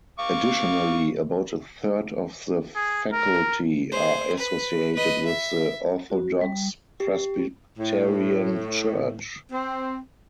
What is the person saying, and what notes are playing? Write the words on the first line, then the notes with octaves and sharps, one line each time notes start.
Additionally, about a third of the faculty are associated with the Orthodox Presbyterian Church.
F5 C#6 D6
G#4
A#4
G#4 C5
B4
B4 D#5
E5
F#4
G3
G4
A2
C4